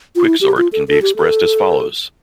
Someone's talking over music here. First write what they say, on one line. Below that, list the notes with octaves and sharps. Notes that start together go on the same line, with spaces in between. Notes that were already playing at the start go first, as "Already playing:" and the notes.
Quicksort can be expressed as follows.
F4
E4
G4
F4
A4
A4
G4
A4